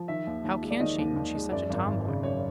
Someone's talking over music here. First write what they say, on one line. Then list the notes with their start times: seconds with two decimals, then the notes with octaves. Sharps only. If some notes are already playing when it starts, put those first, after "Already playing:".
"How can she, when she's such a tomboy?"
Already playing: F3
0.08 D#3 E5
0.27 D#2
0.44 D#2
0.62 G#3
0.70 D5
0.80 D#3 D#5
0.98 D#2
1.16 D#2
1.34 G#3
1.51 F#2 D5
1.70 G#1
1.87 G#1
2.06 C#3
2.23 F#2 C#5